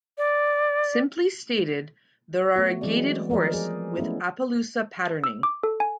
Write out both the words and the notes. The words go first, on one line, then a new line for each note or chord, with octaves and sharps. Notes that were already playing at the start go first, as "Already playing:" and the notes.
Simply stated, they are a gaited horse with Appaloosa patterning.
D5
A3 B3 F#4
E3 F#3 G#3 C4 G#4 D5
F3 A#4 C5 D5 D#5
G#4
A3 B3 C#4 E4
E6
D6
A4
G#5